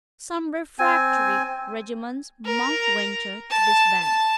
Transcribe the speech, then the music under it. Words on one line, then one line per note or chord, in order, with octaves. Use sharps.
Some refractory regiments Monk ventured to disband.
C4 G#5
A#4
A5
A5